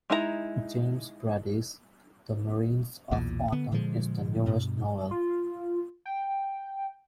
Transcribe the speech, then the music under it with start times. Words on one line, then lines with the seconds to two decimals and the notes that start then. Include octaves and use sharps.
James Brady's, The Marines of Autumn is the newest novel.
0.10 G#3 D#4 E4 F#4 A#5
3.11 B1 E2 A#2
3.52 D3 B3
3.72 A#2 D3 F3 G#3
4.46 G2 B2
5.11 F4
6.06 G5